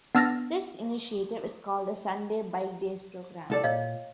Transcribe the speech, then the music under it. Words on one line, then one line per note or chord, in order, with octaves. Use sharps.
This initiative is called the Sunday Bikedays Program.
B3 D4 E6 F6 A6 A#6
C2 A4 D5
A#2 C#5 D#5 F5